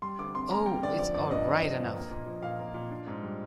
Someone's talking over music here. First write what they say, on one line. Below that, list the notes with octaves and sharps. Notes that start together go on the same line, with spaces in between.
Oh, it's all right enough!
G3 C6
D2 D6
C3 C6
A#3 A#5
G3 G5
D2 D5
F3 D5
G1 D5
G2 D#5
C4
F3
G1
A#3
A#2
F3
A#2 F5
A#3
A#2
D4
G#2
G3